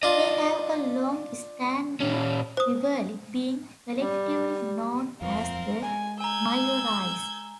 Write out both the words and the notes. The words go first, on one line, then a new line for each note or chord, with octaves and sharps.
They have a long-standing rivalry, being collectively known as the Maiorais.
D4 F4 D#5
A#2 C#4
C5 D#6
G3
D#1 F2 F3 C4 A#4 F5
G#3 G#5
G#5 A#5 E6 G6 G#6